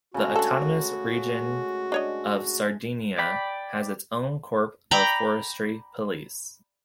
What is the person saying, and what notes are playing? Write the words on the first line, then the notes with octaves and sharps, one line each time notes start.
The Autonomous Region of Sardinia has its own corp of forestry police.
C#3 G#3 A3 F#4
D4 A4
D4 C#5 D#5
D5 G5 B5
D5 G5 A#5 B5